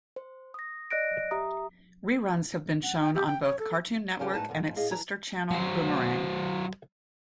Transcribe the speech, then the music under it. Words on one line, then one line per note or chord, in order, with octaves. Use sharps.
Reruns have been shown on both Cartoon Network and its sister channel Boomerang.
C5
D#6 A#6
D5 D#5 F#6 A#6 D7
G4 E5 A#5 D#6
F#5
G5
G4
G5
C#5
A4
C#3 F3 C#4 G4 B4 F#5
G#2 C#3 A3 D#4 B4 A5
D2 G2 B2
G#2 F3
A2 G#4 D#5 F5
E3 D4 A#5
F#3 C5